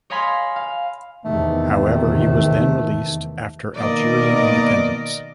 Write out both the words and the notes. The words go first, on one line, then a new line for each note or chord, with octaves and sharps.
However he was then released after Algerian Independence.
C#5 D#5 F5 G#5 B5 C6
F5
E2 C3 D#3 A3
B2 D#3 A#3 A#4 D5 D#5